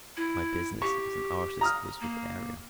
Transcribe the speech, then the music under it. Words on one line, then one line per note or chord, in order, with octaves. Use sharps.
My business as an artist was with Ariel.
E4
G4 C#6
A#5 D#6 F6
A#3